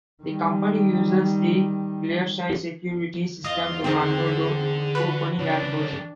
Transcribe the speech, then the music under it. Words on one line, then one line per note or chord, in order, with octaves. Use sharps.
The company uses the ClearSy security system to control door opening and closing.
D#3 G3
E2 F4 C5 D#5 F5
D3 D#3 C4 G#4
F#4 B4
C#3 E3 D4 C#5